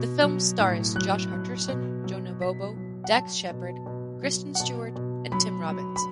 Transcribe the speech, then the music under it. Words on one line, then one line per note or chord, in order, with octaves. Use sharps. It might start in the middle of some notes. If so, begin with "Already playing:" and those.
The film stars Josh Hutcherson, Jonah Bobo, Dax Shepard, Kristen Stewart, and Tim Robbins.
Already playing: B2
F#3
A2
F#3 F#6
F#3
B2
F#3
B2 B6
F#3
F#5
F#3 A5
B2
B2
F#3
F#5
B2 A5
B2
F#3 B5
F#3
B5